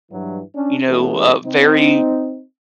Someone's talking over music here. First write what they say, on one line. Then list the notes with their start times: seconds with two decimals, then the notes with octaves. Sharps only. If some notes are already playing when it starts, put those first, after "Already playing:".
you know, uh, very
0.12 G2 E3 F#3
0.56 C#4 D4
0.89 E3 G#3 A3 B3 C#4 G4
1.46 C4 D#4